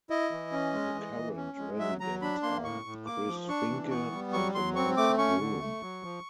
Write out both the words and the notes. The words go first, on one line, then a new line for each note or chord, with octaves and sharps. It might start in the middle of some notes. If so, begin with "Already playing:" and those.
The current residents are Chris Finke and Mark Broom.
E4 D#5
E3
C#4
G#3
E3
E3
C#4
G#3
F#3 E5
F#3 A#5
D4 B5
A#3 C6
A2 C#6
A2
A#3 D6
F3
D4 C#6
E3
B3 C#6
G3
F#3 C#6
F#3 C6
C4 C#6
A3 D6
C#4 C#6
D3
A3
F#3
F3